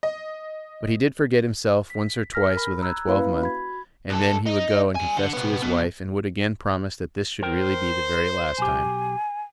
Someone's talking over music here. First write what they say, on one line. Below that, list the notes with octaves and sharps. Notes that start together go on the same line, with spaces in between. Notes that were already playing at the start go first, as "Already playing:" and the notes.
But he did forget himself once or twice within a twelvemonth, and then he would go and confess to his wife, and would again promise that this should really be the very last time.
D#5
B6
A#4 G#5 F6 A#6 B6
B5
A#5 E6 F#6 G#6
A#3 C#4 E4 B4 F5 B5
F#4 B5 G#6
C2 A4
D#4
G3 G#5
D3
C3 B3
B2 B3
A#4 C5 G5
B1 G4 G#5